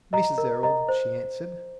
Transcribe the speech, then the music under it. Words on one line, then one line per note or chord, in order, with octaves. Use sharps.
"Mrs. Errol," she answered.
D#5 A#5
A#4
D#5 A#5
C5